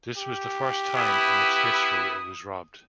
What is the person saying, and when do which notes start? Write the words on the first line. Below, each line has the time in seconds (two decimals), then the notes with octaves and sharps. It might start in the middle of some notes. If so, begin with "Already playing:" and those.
This was the first time in its history it was robbed.
0.18 G4
0.96 B3 E4 D#6